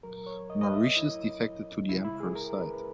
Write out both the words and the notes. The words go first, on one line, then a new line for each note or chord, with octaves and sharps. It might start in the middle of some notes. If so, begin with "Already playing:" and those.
Mauritius defected to the Emperor's side.
A#2 F#3 A#4
C#5
D#5
D#5
E5
D#5
E4
C#3 G#3 E4
E4
G#4
A#4
B4